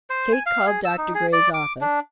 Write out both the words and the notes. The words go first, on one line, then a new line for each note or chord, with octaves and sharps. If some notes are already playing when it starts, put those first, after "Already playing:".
Kate called Dr. Gray's office.
C5
G#5
F5
G#4
E6
D#4
G#4
D5
D6
D4